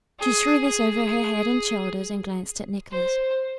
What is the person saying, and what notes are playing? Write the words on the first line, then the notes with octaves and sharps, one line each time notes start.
She threw this over her head and shoulders and glanced at Nicholas.
G#4
G#4
C5